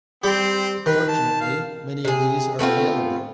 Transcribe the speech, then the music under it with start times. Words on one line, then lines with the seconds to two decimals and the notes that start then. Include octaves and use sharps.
Fortunately, many of these are available.
0.23 G3 C4 G4 C5
0.86 D#3 B4
1.08 A5
1.41 F5
2.05 C3 G#4
2.59 A3 B3 C4 F4